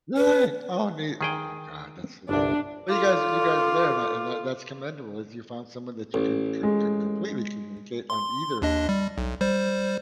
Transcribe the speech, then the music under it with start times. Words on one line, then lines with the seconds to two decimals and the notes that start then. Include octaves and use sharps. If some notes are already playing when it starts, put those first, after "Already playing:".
Really? Oh neat. Oh God, that's so neat. But you guys you guys are there and I and that, that's commendable if you found someone that you can c c completely communicate on either
0.17 B4
1.21 D#3 G#4 G5
2.29 G1 C2 D4
2.89 F4 A4 D6
6.14 A1
6.63 G#3
8.10 C6
8.62 D#2 D4 D#5
8.89 G3
9.18 B1
9.41 G3 C5